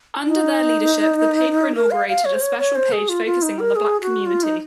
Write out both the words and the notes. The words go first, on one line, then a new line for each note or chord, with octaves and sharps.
Under their leadership, the paper inaugurated a special page focusing on the black community.
D#4
A#4
F5
F5
C#5
C5
C#5
C#5
C5
G#4
F4
F4
D#4
A#4
G#4
F#4
F4
D#4